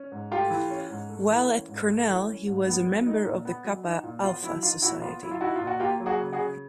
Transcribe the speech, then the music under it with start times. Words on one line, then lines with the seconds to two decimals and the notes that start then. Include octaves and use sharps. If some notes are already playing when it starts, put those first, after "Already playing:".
While at Cornell he was a member of The Kappa Alpha Society.
Already playing: C#4
0.12 G#2
0.31 A3 F4 G4
0.50 E3
0.70 C#4
0.90 G#2
1.09 A3
1.30 E3
1.49 C#4
1.68 G#2
1.88 A3
2.08 E3
2.27 C#4
2.47 G#2
2.66 B3
2.87 F#3
3.06 D#4
3.26 A#2
3.45 B3
3.64 F#3
3.84 D#4
4.04 A#2
4.23 B3 F4
4.43 F#3 E4
4.63 D#4 F4
4.82 A#2 E4 F#4
5.02 B3 F4
5.22 F#3 E4
5.31 F4
5.41 D#4 E4 F#4
5.56 A#2 F4
5.67 F#4
5.80 A#3 F4 G4
6.00 F#3
6.06 F#4 G#4
6.20 C#3
6.33 F#4 G#4
6.39 C#3